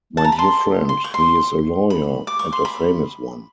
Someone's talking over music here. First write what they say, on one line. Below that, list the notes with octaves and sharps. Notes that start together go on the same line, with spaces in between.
My dear friend, he is a lawyer, and a famous one.
A5
A#5
B5
C6
C6
C#6
C6
B5
D6
C#6
C6
B5